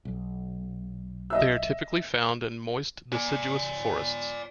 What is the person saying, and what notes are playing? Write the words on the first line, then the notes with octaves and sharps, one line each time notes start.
They are typically found in moist deciduous forests.
B1
D#5 E5 E6
D5 G#5